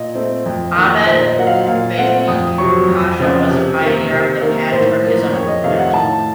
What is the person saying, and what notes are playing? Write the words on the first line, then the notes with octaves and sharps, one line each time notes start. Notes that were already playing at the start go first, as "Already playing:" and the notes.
Ahmed Vefik Pasha was a pioneer of the Pan-Turkism movement.
Already playing: A#2 D#5
A3 C4
F2
D#3 A#3
A#2 C5
D#5
F#3 A#3 F#5
F5
A#2 F5
A3 C4 F#5
F2 D#6
C3 F#3 C#6
F2
C#3 F3 C4
C3
D#3 A#3
C3
D#3 A#3
A2 C5
F3 A#3
F2 C#5
D#5
C3 D#3 A3 F5
F#5
A2 A5